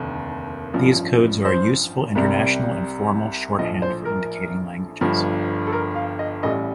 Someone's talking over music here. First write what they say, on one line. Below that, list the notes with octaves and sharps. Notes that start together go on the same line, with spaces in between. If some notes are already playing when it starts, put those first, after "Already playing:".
These codes are a useful international and formal, shorthand for indicating languages.
Already playing: F1 D#2 D3
A1 G2 F3
C5
C2 C3 G3
A#1 A2 F3 D#5
C5
A#4
G1 G2 F3
A4
A#4
F5
D#5
A1 A2 G3 D#5